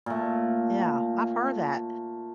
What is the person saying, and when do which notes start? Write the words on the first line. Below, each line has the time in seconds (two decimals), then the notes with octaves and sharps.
Yeah, I've heard that,
0.06 A#2 A3